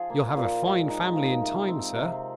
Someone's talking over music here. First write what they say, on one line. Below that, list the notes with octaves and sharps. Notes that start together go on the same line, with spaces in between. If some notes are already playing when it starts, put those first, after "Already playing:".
You'll have a fine family in time, sir.'
Already playing: F3 F4 G#4
A#3
A#2
G#3
D#4
F3
C3
C4
C3